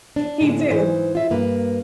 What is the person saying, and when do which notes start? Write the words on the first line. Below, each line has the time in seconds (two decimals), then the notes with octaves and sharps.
He did.
0.16 D4
0.41 A2 D3 G#3
0.70 G#2 E3 C5
1.15 F4 E5
1.30 G2 A#3 B4